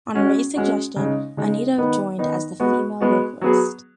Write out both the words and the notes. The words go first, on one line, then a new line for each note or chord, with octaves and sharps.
On Ray's suggestion, Anita joined as the female vocalist.
G#3 C#4 F#4
G#3 C#4 F#4
C#3 G#3 D#4
C#3 G#3 D#4
D#3 B3 D#4
D#3 B3 D#4
G#3 B3 F#4
G#3 B3 F#4
F#3 B3 G#4